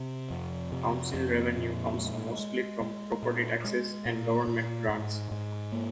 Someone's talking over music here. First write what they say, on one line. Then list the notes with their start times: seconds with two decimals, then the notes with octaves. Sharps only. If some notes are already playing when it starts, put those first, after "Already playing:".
Council revenue comes mostly from property taxes and government grants.
Already playing: C3
0.30 F2
0.72 C3
1.14 F2
1.56 A#2
1.97 G#3
2.39 G#3
2.81 G#3
3.23 A#2
3.64 G#3
4.05 A#2
4.47 A#2
4.89 G#2
5.31 G#2
5.72 A#3